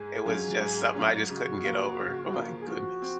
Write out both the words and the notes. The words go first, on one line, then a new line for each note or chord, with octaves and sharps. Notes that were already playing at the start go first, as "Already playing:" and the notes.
it was just something I just couldn't get over, oh my goodness.
Already playing: G#2 G#4
F#3 C#4 F4
G#2
F#3 C#4 F4
C#3 F#4
F3 A#3 F4
C#3
F3 A#3 F4
G#4
F3 F#4
C4